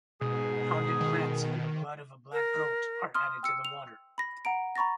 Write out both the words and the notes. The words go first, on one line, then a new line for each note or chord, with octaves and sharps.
Pounded plants and the blood of a black goat are added to the water.
G#2 B2 G#4
D#3
A#4
C6 D#6 F6
G5 E6 C#7
F7
B5 A#6
F#5 A#5 D7
A#5 B5 C#6 A6 A#6